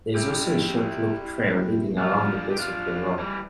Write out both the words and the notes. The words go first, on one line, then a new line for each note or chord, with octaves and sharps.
There is also a short loop trail leading around the base of the rock.
E4 G4
D4 F4
G4
D4 F4
E3 G3